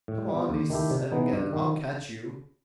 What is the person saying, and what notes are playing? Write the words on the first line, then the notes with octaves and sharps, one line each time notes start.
"Come on!" he said again; "I'll catch you."
A2
G3 B3
D#2
D#3 A3 E4 G4
C3
E3 B3 D#4
G2
D#3